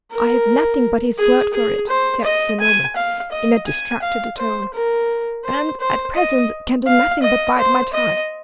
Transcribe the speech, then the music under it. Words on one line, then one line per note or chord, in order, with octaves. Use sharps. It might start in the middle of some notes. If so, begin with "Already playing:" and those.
"I have nothing but his word for it!" said Sir Norman, in a distracted tone, "and, at present, can do nothing but bide my time."
A#4
G#4
G#4
C5
D#5
G#5
F5
D#5
G#5
F5
C5
A#4
C5
C5
D#5
F5
D#5
C5
D#5